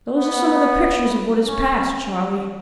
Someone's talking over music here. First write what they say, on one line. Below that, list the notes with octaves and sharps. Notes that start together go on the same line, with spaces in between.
'Those are some of the pictures of what is past, Charley.'
B3
C#4